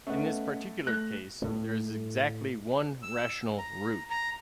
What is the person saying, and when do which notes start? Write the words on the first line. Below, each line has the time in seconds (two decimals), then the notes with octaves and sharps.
In this particular case there is exactly one rational root.
0.07 A3 B3 C#4 D#5 F#5
0.87 A3 F#6 A#6
1.42 A2 A3
3.03 E6
3.58 A#5
4.10 A#5